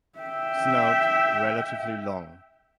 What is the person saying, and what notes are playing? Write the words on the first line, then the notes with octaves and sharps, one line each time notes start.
Snout relatively long.
E5 G5